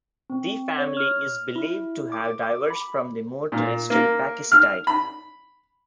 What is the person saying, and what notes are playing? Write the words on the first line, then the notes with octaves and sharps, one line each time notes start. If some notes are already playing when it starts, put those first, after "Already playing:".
The family is believed to have diverged from the more terrestrial Pakicetidae.
C4
C#5
F6
E4
D6
D6
B5
A#2
A#3
F6
B5